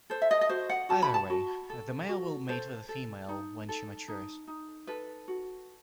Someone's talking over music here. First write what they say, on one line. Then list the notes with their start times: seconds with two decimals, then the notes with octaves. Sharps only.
Either way, the male will mate with the female when she matures.
0.10 A4 C5
0.22 E5
0.31 D#5
0.41 D#5
0.49 F#4 C5
0.70 F#5
0.89 F#4 A5
1.02 B5
1.14 A5
1.30 F#4
1.70 A4
2.09 F#4
2.49 A4 C5
2.89 A4
3.29 D#4
3.69 A4
4.08 D#4
4.47 D#4
4.87 A4 B4
5.28 F#4